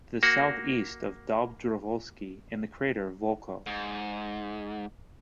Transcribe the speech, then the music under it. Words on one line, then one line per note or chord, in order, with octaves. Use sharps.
To the southeast of Dobrovol'sky is the crater Volkov.
A#3 F#4
G#2